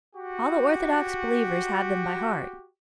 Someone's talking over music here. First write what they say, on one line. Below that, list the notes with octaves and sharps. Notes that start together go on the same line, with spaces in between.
All the orthodox believers have them by heart.
F#4 G4